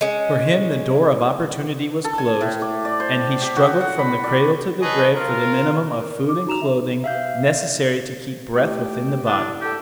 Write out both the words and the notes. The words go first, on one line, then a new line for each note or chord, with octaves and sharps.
For him the door of opportunity was closed, and he struggled from the cradle to the grave for the minimum of food and clothing necessary to keep breath within the body.
G#3 C#4
A4
G#5
A2
D6
D5
C5
G4
F#4
F#5
B5
D5
G#4 A4 B4 C#5 D#5
F4 A#4
A#4
D6
D#4 F#4 A#5 E7 F7
E5
E5 F5 G6
A3 E4 G4 A4
D4 E4 D5
G4 A4